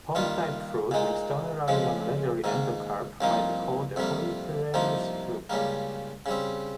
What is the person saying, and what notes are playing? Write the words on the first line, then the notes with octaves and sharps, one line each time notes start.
Pome-type fruit with stony rather than leathery endocarp may be called a polypyrenous drupe.
G2 D#3 G3 A#3 F4
A#2 G#3 D#4
F2 C#3 F3 G#3
G#2 D#3 A#3
C2 A#2 F3 A#3 D#4
F2 C3 G3 A#3
C2 C3 F3 A#3 D#4
C#2 C#3 G3 A#3
C#3 G3 C4